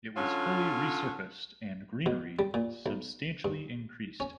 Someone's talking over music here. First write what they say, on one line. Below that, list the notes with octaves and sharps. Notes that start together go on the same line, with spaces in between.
It was fully re-surfaced, and greenery substantially increased.
D3 F#3 C#4 F4
B2
G3
A#2
B1
G2
C#4